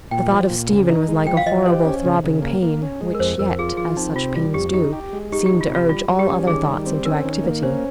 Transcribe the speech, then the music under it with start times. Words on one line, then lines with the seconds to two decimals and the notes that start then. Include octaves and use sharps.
The thought of Stephen was like a horrible throbbing pain, which yet, as such pains do, seemed to urge all other thoughts into activity.
0.11 A#2 G5
0.31 F3
0.50 A#2
0.70 C#3
0.89 D#4
1.08 G#3
1.27 F3 G5
1.37 F5
1.46 F3 D#5
1.66 G4 C5
1.85 C#4
2.05 C#3
2.24 C#3
2.42 A#3
2.62 A#3
2.82 C#4
3.01 G#3
3.15 A#4
3.19 F2 C5
3.39 F2 A#4
3.59 F4 G#4
3.77 F3 G#4
3.97 C4 D#4
4.16 C3 F4
4.36 G3 F4
4.54 F2 G4
4.74 D#4 G4
4.93 G4
5.13 G#3
5.32 D#4 G4
5.46 G4
5.51 D#4
5.61 F4
5.70 C3
5.75 F4
5.89 G3 F4
6.10 G3
6.19 G4
6.28 C#4
6.47 D#3 G#4
6.66 G3
6.86 C4
7.05 C#4 A#4
7.25 D#3
7.44 A#3
7.62 C#4 C5